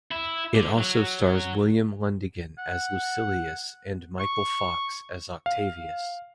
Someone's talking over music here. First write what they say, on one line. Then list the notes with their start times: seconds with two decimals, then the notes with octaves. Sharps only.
It also stars William Lundigan as Lucilius and Michael Fox as Octavius.
0.11 E4
0.55 D3
0.78 F#3
2.59 F#5
4.20 C#6
5.46 F5